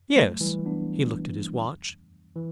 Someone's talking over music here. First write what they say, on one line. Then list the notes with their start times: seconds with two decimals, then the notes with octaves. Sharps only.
"Yes!" He looked at his watch.
0.16 F#3 A3
0.41 E3 G3
0.65 B3 D4
2.36 E3